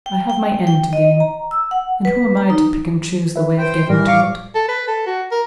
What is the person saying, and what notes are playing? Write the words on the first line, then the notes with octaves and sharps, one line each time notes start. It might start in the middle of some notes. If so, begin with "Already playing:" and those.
I have my end to gain--and who am I, to pick and choose the way of getting to it?
G5
G5
G5
D#5
A#5
E6
F#5
B4
A#5
D#4
B4 E5
C5 G5
A2 E3 G3 A#4
F5 C#6 D6
A4
B4
A4
F#4
A#4